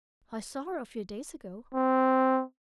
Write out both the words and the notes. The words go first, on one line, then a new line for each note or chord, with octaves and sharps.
"I saw her a few days ago."
C4